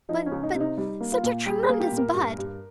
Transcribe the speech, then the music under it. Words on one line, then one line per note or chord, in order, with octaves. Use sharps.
But--but--such a tremendous but!
F3 D#4
C#4
C#2
D#4
C3
D#4
G3 D#4
A#3
F4
A#2
G3 G4
G#4
A#3
G4
A#2
A#4
G2
G2